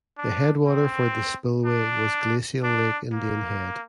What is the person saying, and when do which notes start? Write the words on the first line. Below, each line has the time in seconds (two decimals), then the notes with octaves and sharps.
The headwater for the spillway was glacial Lake Indian Head.
0.18 D4
0.67 C4
1.66 D4
2.64 D4
3.13 A#3